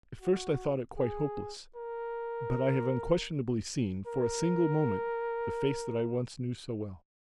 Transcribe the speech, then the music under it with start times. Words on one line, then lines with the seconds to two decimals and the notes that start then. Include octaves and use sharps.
At first I thought it quite hopeless, but I have unquestionably seen, for a single moment, the face that I once knew so well.
0.21 F#4
0.98 G#4
1.76 A#4
4.07 A#4